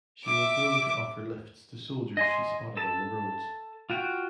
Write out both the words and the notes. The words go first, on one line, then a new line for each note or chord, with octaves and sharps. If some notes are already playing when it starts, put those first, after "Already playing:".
She was known to offer lifts to soldiers she spotted on the roads.
E5 D6
D#5 G#5 C6
A4 A5
F4 F#4 G5